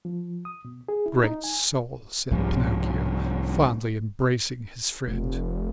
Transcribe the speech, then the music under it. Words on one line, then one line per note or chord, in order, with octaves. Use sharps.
"Great soul!" said Pinocchio, fondly embracing his friend.
F3
D#6
B2
G#4
E4
D#4
G#5
C2 G#2 C3 F3
F1